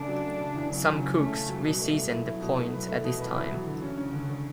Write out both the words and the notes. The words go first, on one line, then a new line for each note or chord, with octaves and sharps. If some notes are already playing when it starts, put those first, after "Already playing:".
Some cooks re-season the point at this time.
Already playing: C#3 A3 D4
F#3
A3
C#3
E2
C#3 F#3
C#3
C#3
A3 C#4
C#3
F#3
B2 G3
A3
A3
F#3 E4
E4
B2
F#3 A3
B4
A3
B2 E3
B4
E4
F#3
D3
C#4
C#3 C#4
D3
D3